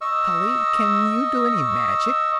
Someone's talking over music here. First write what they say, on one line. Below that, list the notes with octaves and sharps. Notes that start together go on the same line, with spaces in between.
"Polly, can you do any magic?"
D#5 C#6 E6